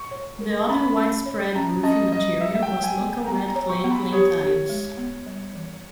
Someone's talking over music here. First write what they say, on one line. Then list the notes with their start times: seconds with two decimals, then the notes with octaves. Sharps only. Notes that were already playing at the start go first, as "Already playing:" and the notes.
The other widespread roofing material was local red clay plain tiles.
Already playing: C#6
0.11 C#5
0.40 A#4
0.69 C#4 B5
0.97 C#4
1.26 C#5
1.55 C#4 A#5
1.84 C#4 D#5
2.12 G3 D#5
2.41 G3 E5
2.54 E5
2.62 G5
2.70 G3
2.84 G#5
2.98 B3
3.26 B3 A#5
3.48 A#5
3.55 C#5
3.69 C#6
3.84 B3
3.91 B5
4.13 G4 C#5
4.41 G4
4.69 G#3
4.98 B3
5.26 G3
5.55 E3